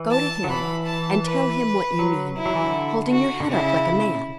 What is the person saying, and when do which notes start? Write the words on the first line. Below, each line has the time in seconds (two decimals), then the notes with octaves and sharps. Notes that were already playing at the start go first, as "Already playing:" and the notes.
Go to him, and tell him what you mean,--holding your head up like a man.
Already playing: E3
0.11 A5
0.44 F#3
0.49 E3 B5
0.86 A5
1.24 B4
1.99 F#3
2.37 E4
2.46 F#3
2.55 E3
2.64 D3
3.12 F#4
3.40 D3
3.49 C#3 E4